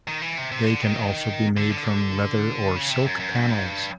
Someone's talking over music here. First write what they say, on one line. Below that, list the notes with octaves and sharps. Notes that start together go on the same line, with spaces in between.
They can also be made from leather or silk panels.
D#3
E3
C3
C3
D3
D#3
D3
D3
C#3
C3
F#2
F#2
G2
G#2
G2